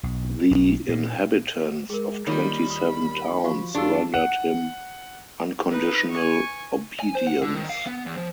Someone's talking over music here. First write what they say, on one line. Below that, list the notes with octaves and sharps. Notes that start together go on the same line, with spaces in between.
The inhabitants of twenty-seven towns rendered him unconditional obedience.
B1
B1
A#2
G#3 G#4 A#4
D#3 G3 A#3 F4 C#5 B5
D#2 D#6
F3 F#4 F5 C#6
F#2 D4 F4 G4 G#4 E6
F#5
D#4 B4
G#5 C#6
G#5
C5
F#5
D3
D#3
F5
B3
E2
F3